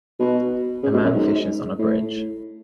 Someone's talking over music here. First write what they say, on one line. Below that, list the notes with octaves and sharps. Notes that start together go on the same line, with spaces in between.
A man fishes on a bridge.
B2
C#3
B2
F#2
G#2
A2